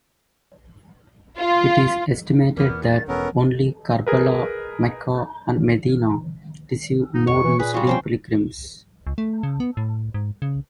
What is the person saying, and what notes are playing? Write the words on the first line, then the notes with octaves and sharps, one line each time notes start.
It is estimated that only Karbala, Mecca and Medina receive more Muslim pilgrims.
F4
E2 A#3 B3 B4 F6
D#3 A6
E1 B3 C#4 A4 A#4
G#4 A#4 B4
D#4
F2 C#5 C#6
E3
A#2 G#4 B4
G3 F4 F#4
F3 C#4 C5 G5
C#2
A3
C#3
B3
A2
G#2
C#3